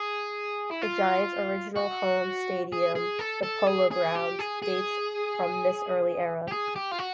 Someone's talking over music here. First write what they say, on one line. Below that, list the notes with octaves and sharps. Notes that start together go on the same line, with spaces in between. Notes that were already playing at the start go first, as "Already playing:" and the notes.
The Giants' original home stadium, the Polo Grounds, dates from this early era.
Already playing: G#4
E4
F4
F#4
G#4
G#4
A4
A4
G#4
G#4
G4
G#4
G#4
G4
G#4
G4
F4
F#4